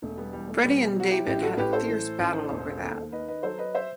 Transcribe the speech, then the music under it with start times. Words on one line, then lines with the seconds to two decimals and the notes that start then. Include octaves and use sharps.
Freddie and David had a fierce battle over that.
0.02 E1 A3
0.17 G3 B3
0.33 E2 G3
0.49 A3
0.64 B2 G3 B3
0.80 G3
0.96 F#3 F#4
1.10 E4 G4
1.26 A1 E4 G4
1.42 F#4 A4
1.57 A2 G4 B4
1.73 A4 C5
1.88 E3
2.19 A1
2.50 E1
2.81 D#2
3.12 D#3 B4 D#5
3.28 B4 D#5
3.43 F#3 A4 C5
3.59 B4 D#5
3.74 C5 E5